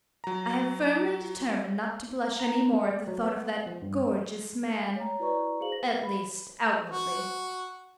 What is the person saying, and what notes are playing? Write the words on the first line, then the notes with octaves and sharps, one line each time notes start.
I have firmly determined not to blush any more at the thought of that gorgeous man--at least outwardly.
F#3 A#5
A#5
G#3
D5
F#3
B3
F3
G2
F5 G#5
C#5 A#5
E4 F#4 B4 D5 A#5 C#6
F#4 G#4 C5 F5 F#7
B4 A#6
B5
F#4